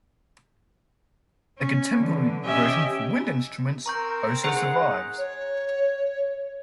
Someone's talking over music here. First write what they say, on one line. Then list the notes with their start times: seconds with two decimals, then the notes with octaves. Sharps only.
A contemporary version for wind instruments also survives.
1.57 C#4
1.96 D3 E3
2.44 C#4 G4 D#5 E5 G5 G#5
3.86 C4 A#4 A#5 C#6 G6
4.43 G#3 D#4 G#4 C5 F#5 C7
5.18 C#5